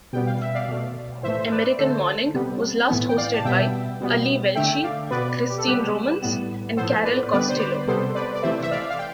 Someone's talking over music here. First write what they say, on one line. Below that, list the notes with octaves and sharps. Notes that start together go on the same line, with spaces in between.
"American Morning" was last hosted by Ali Velshi, Christine Romans and Carol Costello.
B2 G3 B3 G5
F5
E5
D5 F5
B2 A3
A2 E3 A3 C5 E5
C5
B4 D5
D3 A3 A4 C5
C3 G3 B3
A2 E3 B3
G5
D5 F5
A5
B2 G3 B3 E5 G5
B2 G3 B3
D3 A3 E5 G5
D5 F5
B2 B3 B4 D5
G4
A4
C3 G3 B3 G4 B4
A2 G3 B3
A2 F3 B3 A4 C5
B4 D5
D3 G3 B3 B4 D5
C5
B4 D5
C3 G3 B3 A4 C5
B4 D5
D5
C3 E3 A3 C5 E5
E5
D5 F5
F5
G5